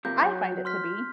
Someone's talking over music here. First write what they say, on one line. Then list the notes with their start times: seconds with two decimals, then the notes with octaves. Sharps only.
I find it to be.
0.05 C3 F3 A#3 G6
0.22 F#3
0.65 C6 F6 B6